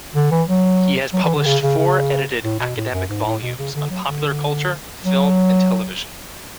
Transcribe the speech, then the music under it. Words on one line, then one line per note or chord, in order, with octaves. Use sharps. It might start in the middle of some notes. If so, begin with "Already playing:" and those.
He has published four edited academic volumes on popular culture, film, and television.
D3
E3
F#3
F#3
E3
D3
C#3
C#3
C#3
A2
B2
A2
F#2
G#2
A2
B2
C#3
D3
F#3
D3
F#3